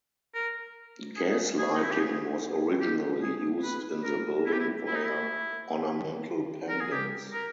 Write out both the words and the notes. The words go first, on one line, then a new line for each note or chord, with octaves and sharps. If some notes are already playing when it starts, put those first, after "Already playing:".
Gas lighting was originally used in the building via ornamental pendants.
A#4
G#4
G#4
D#4
E4
G4
G#4
G4
G#4
B4
A#4
E4
G4
E4
E4
D#4
E4
A#4
G#4
G4
A#4